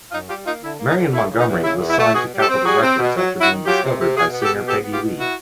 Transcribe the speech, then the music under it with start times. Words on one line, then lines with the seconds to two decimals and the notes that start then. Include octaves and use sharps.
Marion Montgomery was signed to Capitol Records after being discovered by singer Peggy Lee.
0.12 F#2 D#4 F4
0.28 G3 F4 G4
0.46 A#3 D#4 F4
0.62 D3 E4
0.79 A#3
0.88 D#4
0.96 D3
1.13 A3 E4
1.29 C#3
1.38 D#4
1.47 E2
1.63 C#3 E4
1.80 E2
1.90 E4
1.98 A3
2.14 B2 F#4 G#4
2.32 G3
2.39 G4 A4
2.49 C4
2.65 G3 F#4 G#4
2.83 C4
2.99 B2
3.16 F#3
3.32 F#3
3.40 E4 F#4
3.50 D#3
3.66 F#3 F4 G4
3.84 C3
4.00 C3
4.17 B2 F#4 G#4
4.33 B3
4.42 G4 A4
4.51 B2
4.67 B3 G4 A4
4.84 B3
4.92 F4 G4
5.01 B2
5.18 E4 F#4